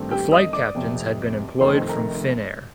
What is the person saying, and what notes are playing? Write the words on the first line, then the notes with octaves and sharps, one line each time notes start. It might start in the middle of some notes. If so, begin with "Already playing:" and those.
The flight captains had been employed from Finnair.
Already playing: G2 D#3 A3 C4
G4 G5
D#5 D#6
D5 D6
F1 F2 C3
F1 F2 D#3 A3 D#4 C5 C6
A#4 A#5